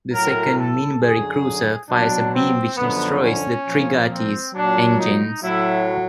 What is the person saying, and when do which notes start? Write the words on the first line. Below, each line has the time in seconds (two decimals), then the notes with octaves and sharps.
The second Minbari cruiser fires a beam which destroys the "Trigati's" engines.
0.13 A2 F#3 A#4
0.57 A4
1.02 F#2 D3 F#3 G#4
1.89 B2 F#3 D4
2.33 C4
2.77 F#2 D3 F3 B3
3.23 C#4
3.65 A#2 F3
4.10 C4
4.54 A#2 F#3 D4
4.99 D#4
5.42 A2 F#3 E4